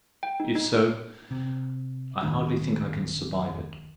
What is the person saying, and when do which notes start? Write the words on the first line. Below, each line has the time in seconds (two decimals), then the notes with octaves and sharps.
If so, I hardly think I can survive it.
0.23 G5
0.40 D#4
0.55 D#4
1.31 C3
2.23 D1 A2 D#3 D4